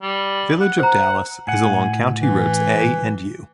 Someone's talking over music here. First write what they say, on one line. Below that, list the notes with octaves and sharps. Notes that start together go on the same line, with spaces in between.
Village of Dallas is along County Roads A and U.
G3
F#5
C5 A#5
A2 F#5 G#5
E3